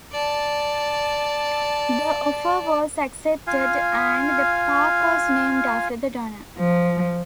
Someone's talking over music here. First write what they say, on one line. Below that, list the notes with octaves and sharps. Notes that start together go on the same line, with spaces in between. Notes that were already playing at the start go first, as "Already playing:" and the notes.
The offer was accepted and the park was named after the donor.
D5 A5
F4 F5 G#5
F3